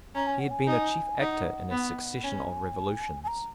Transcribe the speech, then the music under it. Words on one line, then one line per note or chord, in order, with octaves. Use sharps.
He had been a chief actor in a succession of revolutions.
C#4 A#5
G#5
F#5
G#5
D#4
D#4 F#5
B3
C#4 G#5
G#5
A#5